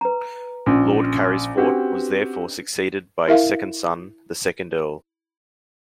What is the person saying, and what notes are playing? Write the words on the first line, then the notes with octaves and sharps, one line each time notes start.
Lord Carysfort was therefore succeeded by his second son, the second Earl.
B4 A#5
A#1 C#4
C4 D4 F#4 G4 B4
E4 A#4 E5 F5